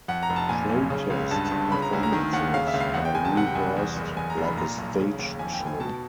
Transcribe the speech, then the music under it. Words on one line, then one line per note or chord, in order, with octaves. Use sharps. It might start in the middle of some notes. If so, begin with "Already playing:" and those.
Protest performances are rehearsed like a stage show.
F2 F#5
A#5
F1
A5
A#2 G#5
B1
C#3
C#2
G2 A5
A5
G1
C#3 B5
A#5
D2
A#5
D#3
D#2 F#5
C#3 F5
E5
C#2
F5
E2 F#5
G5
F#1 G#5
A5
C3 F#5
G5
C2 G#5
E2
F#1
E2 G#5
A#5
F1
B5
A#2 A#5
B1
C#3
D#2
F2 G#5
G5
F1
G#5
B2 A5